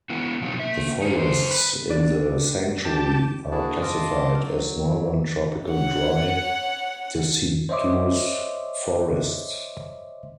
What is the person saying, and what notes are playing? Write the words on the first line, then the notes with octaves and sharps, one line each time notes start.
The forests in the sanctuary are classified as Northern Tropical Dry Deciduous Forests.
B3 E4 F#4
B2 F3 F#3 C4 D#4
A#3 E5
C#4 D#4
F#2 C5
B4
D4 D5
G4 A5
A#3 D4 E4 F#4 G#4 A5
D#5 F5 A5 C6 D6 D#6
F#3
C#5 F#5
C5 C#5 D#5 E5 C6 D6